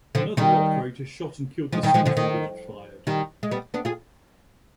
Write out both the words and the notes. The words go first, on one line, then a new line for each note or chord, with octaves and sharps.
Another operator shot and killed the sentry that had fired.
D3 F3
D#3 G3
F3 G#3
D#3 G3
F3 G#3
D3 F3
D#3
D#3 G3
G#3
G3 B3
B3 D4
F4 G#4